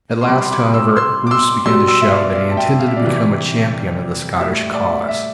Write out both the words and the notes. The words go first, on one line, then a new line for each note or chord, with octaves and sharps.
At last, however, Bruce began to show that he intended to become a champion of the Scottish cause.
C6
C3 G3 B5 D6
C6
B5 D6
C6 E6
C6 E6
D6
C6 E6
B2 G3 C6 E6
C6 E6
E5
D5 F5
D5 F5
A5
E5 G5
F5
E5
D5 F5
C3 E3 G3
A2 G3 E5
D5
E5